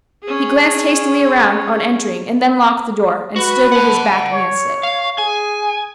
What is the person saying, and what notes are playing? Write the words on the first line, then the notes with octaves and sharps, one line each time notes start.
He glanced hastily around on entering and then locked the door and stood with his back against it.
C#4 G#4
F#4 B4
F#5 A5
C#5
F5
G#4 G#5